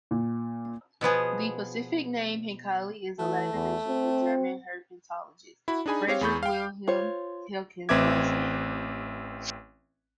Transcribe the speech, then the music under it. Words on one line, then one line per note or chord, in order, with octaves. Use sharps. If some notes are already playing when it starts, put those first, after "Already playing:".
The specific name, "henkeli", is a Latinization of German herpetologist Friedrich-Wilhelm Henkel's last name.
A#2
B2 F3 B3 G#4
E3 A3
E2
C4
E4 F#4 B5
D4 D#4 G#4 G#5 B5
C4 G4 C#5 F5
E2 G#4 B5 C#6 G6
F5 G5
F4 C5 C#5
A1 C4 B4 E5 D6 G#6